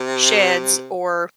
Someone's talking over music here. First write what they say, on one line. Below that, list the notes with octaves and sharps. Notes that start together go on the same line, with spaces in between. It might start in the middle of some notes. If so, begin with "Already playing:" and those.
sheds or
Already playing: C3